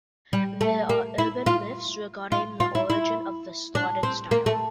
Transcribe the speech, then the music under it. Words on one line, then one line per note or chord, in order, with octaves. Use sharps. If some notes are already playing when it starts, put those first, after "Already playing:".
There are urban myths regarding the origin of the slotted style.
G3
A3
A#3
E4
F4
F4
F4
E4
E4
D4
C4
A#3
A3